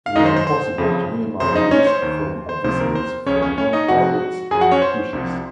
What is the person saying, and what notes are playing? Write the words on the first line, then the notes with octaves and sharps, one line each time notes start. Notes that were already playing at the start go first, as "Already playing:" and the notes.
It is impossible to minimize risk from avicides for non-targets species.
F5
F#2 D#3 D#4 D#5
C5
C5
C5
F2 C#3 F3
F#2 C#3 F3 C5
D#4 D#5
C#4 C#5
C5
D#2 D#3
C5
C#2 C3 F3 C5
A#4
C5
C#2 C#3 F3 C#4 C#5
C#4 C#5
C#4 C#5
D#4 D#5
F2 C3 F3 F#4 F#5
F#2 F3 G#4 G#5
F#4 F#5
C#4 C#5
C5
C2 C3 F3